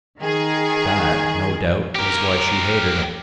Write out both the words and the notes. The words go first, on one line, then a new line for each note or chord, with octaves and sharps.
That, no doubt, was why she hated him.
D#3 G#4
G4 A#4